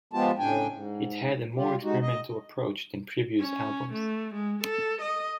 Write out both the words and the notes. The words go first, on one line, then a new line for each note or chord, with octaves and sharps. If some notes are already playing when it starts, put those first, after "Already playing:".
It had a more experimental approach than previous albums.
F3 G#3 B3 F4 G4 A5
A2 C#3 D4 G5 G#5
G#2
G3 F4 G4
G#3 D#4 F#4
D#5
C#4
A3
G#3
A4
D#5